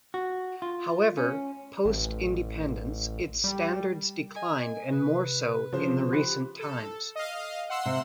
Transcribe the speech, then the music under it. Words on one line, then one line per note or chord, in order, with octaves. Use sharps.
However, post independence its standards declined and more so in the recent times.
F#4
F4
C#4
A1
G3
D#5 G#5
C3 B4
C#3 F3 C5
G4 B5 F#6
A4
D#5 F5
F#5 C6 E6
C3 C4